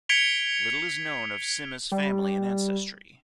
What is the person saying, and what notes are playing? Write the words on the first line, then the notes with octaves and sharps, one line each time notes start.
Little is known of Sima's family and ancestry.
G#6 B6 C#7 D7 F7 G7
G3